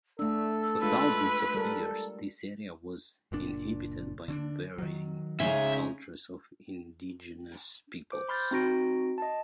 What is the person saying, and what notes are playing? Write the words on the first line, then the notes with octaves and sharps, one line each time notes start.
For thousands of years, this area was inhabited by varying cultures of indigenous peoples.
A3 D4 A4 E6
G#3 D4 F4 B4
G3 A4 A#4
F#1 A#2 D4
D3 C#4 D4
D#3 F#3
C#3 G#3 C#4 D#4 E5
C5 D6
B5 C6 F6 G6 A6
C4 D#4 F#4 A#6 D7
D#5 A5